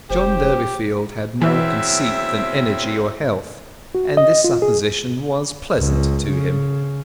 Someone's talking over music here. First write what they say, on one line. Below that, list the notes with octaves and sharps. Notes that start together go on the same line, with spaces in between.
John Durbeyfield had more conceit than energy or health, and this supposition was pleasant to him.
F1 G4 C5
E2 E3 F#3 C4 E5
F#4
D#5
F4
G#4
C#2
C#3